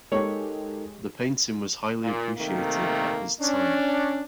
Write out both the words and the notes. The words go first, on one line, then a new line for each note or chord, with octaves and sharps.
The painting was highly appreciated at his time.
G#3 D#4 G4 A4 A#4 C#5
A#2
C3 D#3 A3 A#3
C#4 D4